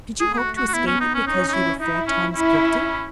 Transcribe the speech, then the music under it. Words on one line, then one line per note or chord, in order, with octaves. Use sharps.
Did you hope to escape it because you were four times guilty?
A3 G#4
G#4
F#4
F#4
F#4
B3 E4
C#4
D#4
C#4
C#4 D#4
D#4
E4
D#4 E4
C#4
C#4 E4